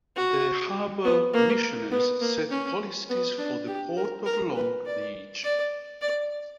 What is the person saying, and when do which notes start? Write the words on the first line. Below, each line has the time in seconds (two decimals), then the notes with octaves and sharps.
The Harbor Commissioners set policies for the Port of Long Beach.
0.16 F#4
1.05 B3
1.34 A#3
1.92 B3
2.21 A#3
2.51 C#4
3.10 B3
3.38 D4
3.68 G4
3.97 A#4
4.26 A#4
4.56 B4
4.86 D5
5.44 D5
6.02 D5